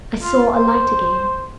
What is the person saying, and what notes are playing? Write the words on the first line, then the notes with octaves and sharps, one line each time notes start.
I saw a light again.
F4
C5